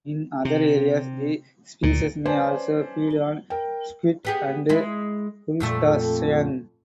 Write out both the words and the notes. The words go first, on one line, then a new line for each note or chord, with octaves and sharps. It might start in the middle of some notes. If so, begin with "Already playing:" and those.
In other areas, the species may also feed on squid and crustaceans.
C3
D2 A#2
C#4 B4 C5 D5 G#5 A5
A#4 G5
B3 G4 G#4
G#3 E4
F2 A#2 A3